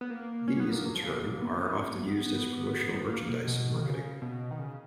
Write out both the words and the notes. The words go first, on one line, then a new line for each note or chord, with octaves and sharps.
These, in turn are often used as promotional merchandise in marketing.
B3
A#3
C#4
B3
A#3
F#3
F3
C#3
B2
A#3
B3
C#4
A#3
B3
A#3
B2
B2
D#3
C#3
B2
D#3
C#3